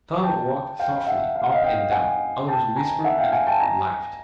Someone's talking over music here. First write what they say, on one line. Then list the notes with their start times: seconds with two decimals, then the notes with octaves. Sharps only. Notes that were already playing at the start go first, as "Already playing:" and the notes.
Some walked thoughtfully up and down, others whispered and laughed.
0.22 G5 A5
0.79 F5 G5
1.07 E5 F#5
1.36 F5
1.43 F#5
1.52 D#5 F5
1.64 F5 G5
1.91 F#5 G#5
2.48 G5 A5
2.76 G#5 A#5
3.04 E5 F#5
3.18 F5 G5
3.32 F#5 G#5
3.47 G5 A5
3.60 G#5 A#5